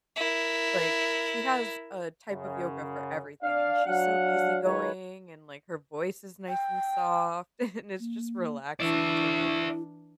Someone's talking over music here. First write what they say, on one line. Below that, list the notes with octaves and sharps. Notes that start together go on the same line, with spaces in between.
like, she has a type of yoga for everything, and she's so easygoing, and, like, her voice is nice and soft, and it's just relaxing to like
E4 A#4
F#2 C#3
D4 D5 F5
F#3 D4 F5 F#5
D#3 G#3 D#4 F4 B4 C#5
G5
A#3
E3 D4 E4 D5 E5